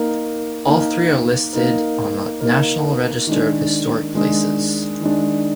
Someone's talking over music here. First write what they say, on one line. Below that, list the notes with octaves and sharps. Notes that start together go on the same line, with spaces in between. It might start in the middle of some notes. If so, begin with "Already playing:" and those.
All three are listed on the National Register of Historic Places.
Already playing: A#3 D#4 A#4
A#3 D#4 A#4
A#3 D#4 A#4
A#3 D#4 A#4
D#3 G#3 D4
D#3 G#3 D4
D#3 G#3 D4